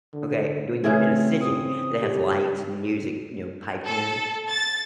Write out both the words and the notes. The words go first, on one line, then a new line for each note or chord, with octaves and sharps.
okay? Doing you're in a city that has lights and music, you know, piped in,
D3
C#3 E3 A3 C4 G#4
D#6
G4
A4
A6